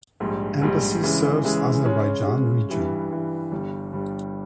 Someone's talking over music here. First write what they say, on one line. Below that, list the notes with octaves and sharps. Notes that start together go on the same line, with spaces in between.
Embassy serves Azerbaijan region.
A#1 G#2 G3
A#1 G#2 G3
C#3 E3 G#3
C#3 E3 G#3
C#3 G#3 C#4
C#3 G#3 C#4
G2 E3 G3
G2 E3 G3
G1 G2 G3
G1 G2 G3